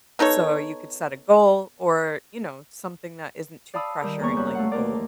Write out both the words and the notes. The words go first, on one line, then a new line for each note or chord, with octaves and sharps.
So, you could set a goal or, you know, something that isn't too pressuring like a goal.
B3 D#4 A4 C#5
D5 F5 A5 B5 D#6 E6
D#3 G3 A#4
E2 A#3 A#5 C#6
F#2 G3 F#6
A3 F5 F#5
D#2 A3 A#4 D5